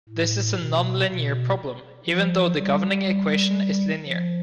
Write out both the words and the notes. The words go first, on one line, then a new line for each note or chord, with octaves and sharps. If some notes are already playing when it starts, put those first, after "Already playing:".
This is a non-linear problem, even though the governing equation is linear.
A2
B2
B2
F3
G3
F3